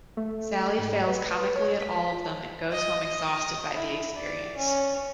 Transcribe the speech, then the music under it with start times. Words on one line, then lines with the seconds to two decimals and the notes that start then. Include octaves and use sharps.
Sally fails comically at all of them and goes home exhausted by the experience.
0.17 A3
0.79 G#2
1.07 B4
1.56 C#5
1.81 B6
2.71 D#5
3.04 D#5
3.73 E4
4.15 D5
4.57 C#4